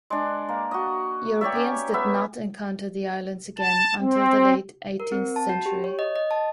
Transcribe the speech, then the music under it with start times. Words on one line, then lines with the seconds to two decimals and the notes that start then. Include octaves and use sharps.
Europeans did not encounter the islands again until the late eighteenth century.
0.10 G#3 D4
0.49 A#3
0.71 F#4 D#5
1.41 G4 C#5 D5 E5
1.56 C#4
1.94 B3 E5
3.58 A5
4.00 C4
5.00 A#4
5.12 C4
5.36 A5
5.49 F#4
5.66 G4
5.84 C#5
5.99 D#5
6.16 D#5
6.31 A5